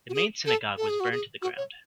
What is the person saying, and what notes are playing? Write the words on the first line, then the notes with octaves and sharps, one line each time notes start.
The main synagogue was burned to the ground.
F#4
G#4
A4
A4
G#4
F#4
G#4
F#4
C#5